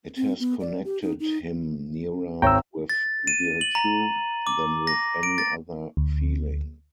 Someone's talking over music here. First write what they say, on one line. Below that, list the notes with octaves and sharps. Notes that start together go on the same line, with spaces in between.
It has connected him nearer with virtue than with any other feeling.
C4
B3
D5
G4
D#4
D#4
G#1 C#5 G5 A#5 E6
A6
D#7
F#7
A#5
D6
A#6
D7
A6
D2